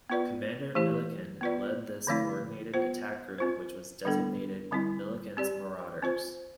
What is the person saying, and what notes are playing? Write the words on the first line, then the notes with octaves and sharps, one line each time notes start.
Commander Millican led this coordinated attack group, which was designated Millican's Marauders.
B3 F4 B4 D5
E3 A3 E4 G4
B3 F4 B4 D5
D3 F3 A3 C4 E4
B3 F4 C5
C4 F4 C5
D3 G3 B3 D4 A4
D3 G3 C4 E4
C4 G4 D5
C4 F4 C5